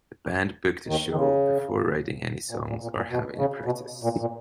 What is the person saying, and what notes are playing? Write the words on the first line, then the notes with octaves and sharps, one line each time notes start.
The band booked a show before writing any songs or having a practice.
D#2 D#3
D#3
C#3
A#2
B2
A#2
A#2
A#2
B2
C#3
B2
A#2
A#2